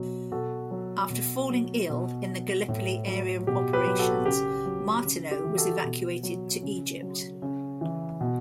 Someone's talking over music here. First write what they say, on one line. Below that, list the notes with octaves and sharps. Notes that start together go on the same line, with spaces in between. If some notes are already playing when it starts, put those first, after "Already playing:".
After falling ill in the Gallipoli area of operations Martineau was evacuated to Egypt.
Already playing: B2 F#3
B2 F#4 A4
F#3
B2
F#3
B2
F#3
A2
F#3
B2 G4
G4 B4
F#3
F#4 A4
C#3 G4
F#3
C#3
G4
E3
F#4 A4
B2
F#3
C#3
F#3
C#3
E3
B2